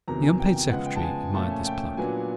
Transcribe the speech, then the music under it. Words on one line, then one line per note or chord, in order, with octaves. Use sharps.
The unpaid secretary admired this pluck.
E2 C3 D#3 F#3 A#5
G#5
G5
G5
C#3 F3 G#3 B3 F#5
G5
A5
G#5
A#2 F3 A3 C#4 A5
G#5
G5
A#2 F#3 B3 D4 G#5